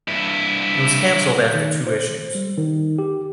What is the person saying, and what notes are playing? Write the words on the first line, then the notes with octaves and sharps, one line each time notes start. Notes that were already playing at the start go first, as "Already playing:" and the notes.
It was cancelled after two issues.
G2 E4
D#3
C5
G3
D#3
G4